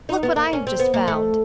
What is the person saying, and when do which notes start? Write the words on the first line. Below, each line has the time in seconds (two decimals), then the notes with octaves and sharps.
Look what I have just found!
0.09 D#4
0.23 B3
0.36 A#3
0.53 C#4
0.67 C4
0.79 B3
0.94 A#3
1.08 A3